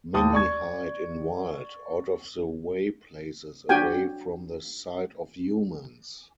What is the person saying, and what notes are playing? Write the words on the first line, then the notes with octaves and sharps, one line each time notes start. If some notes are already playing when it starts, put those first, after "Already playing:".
Many hide in wild, out-of-the-way places away from the sight of humans.
D#2 G5 A5 D#6
D5 C#6 G#6
D4 F#4 G4 G5 G#5